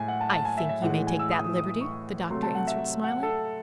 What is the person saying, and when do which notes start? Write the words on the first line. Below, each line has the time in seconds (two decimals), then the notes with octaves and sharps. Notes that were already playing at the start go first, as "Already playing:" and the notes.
"I think you may take that liberty," the Doctor answered, smiling.
Already playing: A2 G#3 E5 G#5
0.08 F#5
0.21 A5
0.33 A5
0.45 G#5
0.58 E5
0.69 E5
0.82 A2 E3 G#3 F#5
1.07 G#5
1.19 E6
1.31 D#6
1.44 D#6
1.56 D#6
1.68 D#6
1.81 C#6
2.30 C3 F#3 A3 C6
2.43 A5
2.55 F#5
2.68 E5
3.04 F#5
3.23 A4